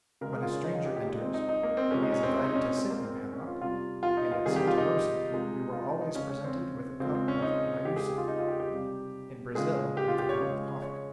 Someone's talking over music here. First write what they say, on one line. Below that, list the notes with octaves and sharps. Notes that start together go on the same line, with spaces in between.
When a stranger enters, he is invited to sit in a hammock; and at Santa Rosa we were always presented with a cup of guayusa; in Brazil with a cup of coffee.
C#3 G#3 A#4
G#4
F4
C#4
D#4
F4
G4
G4
A#2 G#3 D#4
C4
D#4
D#4
A#3
C4
C3 F3 G#3 C#4
D#4
C#4
C4
C4
D#4
C#4
C4
A#2 G#3 C4
A#3
C4
C4
C#4
F4
C3 G3 F4
F4
D#4
F4
C3 D#3 G3 G#4
G4
F4
D#4
C3 F3 G#3
F4
D#4
D#4
C#3 G#3 C#4
C#4
C4
C#3 F3 G#3 C4
C4
C#4
D#4
C#3 G#3 G4
G#4
G4
F4
D#4
F4
G4
G4
C3 G3
C#3 F3 G#3 G#4
G4
F4
G4
C#5
C#3 F3 G#3
C#5